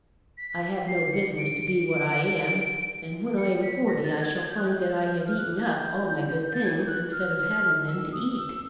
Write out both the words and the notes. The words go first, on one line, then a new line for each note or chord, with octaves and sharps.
I have no business to be what I am, and when I am forty I shall find that I have eaten up all my good things instead of having them to eat.
B6
C7
C#7
D7
D7
D7
D7
C#7
B6
A#6
A6
A6
G#6
G#6
G6
F#6
G6
F6
F#6
G6
A6
G#6
G6
F#6
F6
F6
E6
D#6
E6